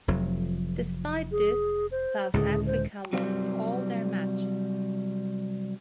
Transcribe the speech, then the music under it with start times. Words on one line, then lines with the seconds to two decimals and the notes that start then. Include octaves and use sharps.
Despite this, South Africa lost all their matches.
0.08 F1 F2 F#3
1.32 G#4
1.91 C5
2.34 C#2 A2 D3 G#4
2.66 C5
3.13 C3 F#3 G3 C4